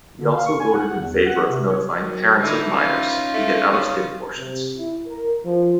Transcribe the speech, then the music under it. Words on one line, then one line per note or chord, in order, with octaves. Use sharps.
He also voted in favor of notifying parents of minors who get out-of-state abortions.
D3
F5
C#6
G#5
F#5
E2
F#5
C3
C#5
D#3 F#3
D3 E3 D#4 E4
C#4 D#4 F4
A3
C#3
C3
E4
A#4
F3